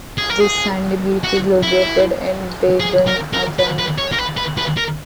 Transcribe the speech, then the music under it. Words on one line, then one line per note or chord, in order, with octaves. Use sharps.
This sandy beach is located in Bagan Ajam.
G#4
A#4
G#4
F#4
E4
G#4
A#4
A#4
B4
B4
C#5
A#4
B4
B4
B4
A#4